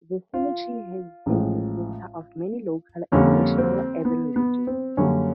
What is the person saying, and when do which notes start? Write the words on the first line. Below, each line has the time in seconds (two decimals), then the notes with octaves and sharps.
The cemetery has been the center of many local and national urban legends.
0.34 F4
1.26 A1 A2 F3 G#3
3.12 F2 D3 G3 A#3 C#4
3.58 C4
4.05 B3
4.36 B3
4.67 C4
4.97 F#2 D3 G3 A#3 C#4